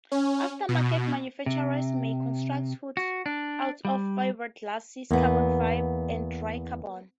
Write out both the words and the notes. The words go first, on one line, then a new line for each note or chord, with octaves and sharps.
Aftermarket manufacturers may construct hoods out of fiberglass, carbon fiber, or dry carbon.
C#4
B2
C3
F#4
D4
G3
E2 A#3 B3